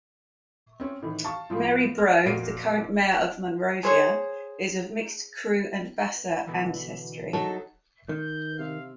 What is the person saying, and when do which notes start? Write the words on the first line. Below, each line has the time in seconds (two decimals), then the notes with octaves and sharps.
Mary Broh, the current mayor of Monrovia, is of mixed Kru and Bassa ancestry.
0.80 C4 C#4
1.02 A2 D#3 E3
1.24 F5 A5 C#6
1.50 A2 F3 F4
1.98 F6
2.25 F2 A#2 F#4 C7 D7 D#7
3.83 G#4 C5 C#5
6.46 B2 D3 E3
7.33 F#3 D#4 A4 E5 A5
8.09 D#3 G6
8.59 C3 F5